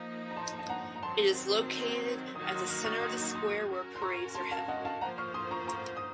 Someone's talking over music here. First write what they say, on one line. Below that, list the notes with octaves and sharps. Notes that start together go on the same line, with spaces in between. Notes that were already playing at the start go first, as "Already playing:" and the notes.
It is located at the center of the Square where parades are held.
Already playing: F3 A#3 D#4
A#5
A5 C6
A5
F#5 A#5
A#5
D#3 F#3 C4 A5 C6
D#3 F#3 A#3 D#4 F#4 D#6
F6
C6 D#6
F6
C#6 F6
C6 D#6
C6 D#6
C#4 F#4 A#4
C6
A#5 C#6
A5 C6
F5 A5
D#5 F#5
F5 A5
F3 A#3 F4 C5 F#5 A#5
C#6 F6
C6 D#6
A#5 C#6
A#5 C#6
D#6